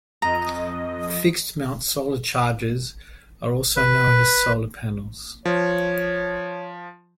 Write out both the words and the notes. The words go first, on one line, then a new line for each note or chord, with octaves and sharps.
Fixed mount solar chargers are also known as solar panels.
F2 D#5 A#5
B4
F3 C#5